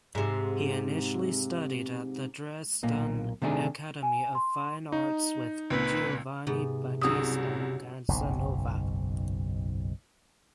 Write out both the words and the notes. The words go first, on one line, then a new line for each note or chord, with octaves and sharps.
He initially studied at the Dresden Academy of Fine Arts with Giovanni Battista Casanova.
G#2 C3
B1 A#2 A#3
C3 D#3 A3 D4 G#4
G#5
C6
D#4
C#2 A#2 C4 B4
G#2 C3 B3
C2 G2 C#3 F#3 D#6 E6
F#1 B1 G#2